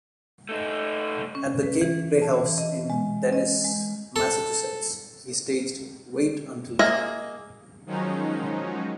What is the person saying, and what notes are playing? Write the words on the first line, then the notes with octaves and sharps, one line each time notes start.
At the Cape Playhouse in Dennis, Massachusetts, he staged "Wait Until Dark".
A3 D#4
C#4
B4
E3
A5
E3
D#5
G#3
D#5
G#3
A4
A#3 G#4 D#5 E5
D#3 F3 F#3 G#3 C#4 D#4